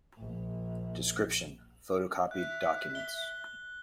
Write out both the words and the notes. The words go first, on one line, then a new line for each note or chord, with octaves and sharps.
Description: photocopied documents.
A#1
E5 F#6
G7